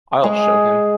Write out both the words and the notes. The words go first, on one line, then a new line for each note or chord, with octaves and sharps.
I’ll show him.
G#3 G#4